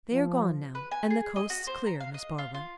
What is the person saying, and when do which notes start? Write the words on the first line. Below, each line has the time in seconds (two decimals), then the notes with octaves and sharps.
"They are gone now, and the coast's clear, Miss Barbara."
0.12 F3
0.75 B4
0.92 G#5
1.10 G#4
1.36 D#5
1.50 F#4
1.67 C5
1.86 A#5
2.00 F5
2.14 D#5
2.38 F4
2.54 F4